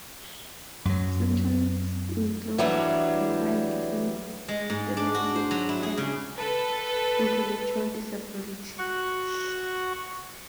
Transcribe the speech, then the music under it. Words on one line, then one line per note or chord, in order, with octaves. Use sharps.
Symptoms include liver and kidney disturbances and intellectual disability.
F#2 F#3
E3 F#3 G3 D4
G#3
G#2
D4
F#4
C5
F#3
E4
G#4
C#3
A4 B4
F#4 F#5 C#6